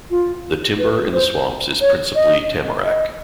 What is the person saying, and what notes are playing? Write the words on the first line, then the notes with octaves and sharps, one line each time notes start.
The Timber in the Swamps is principally Tamarac.
F4
B4
C5
C#5
D#5
D#5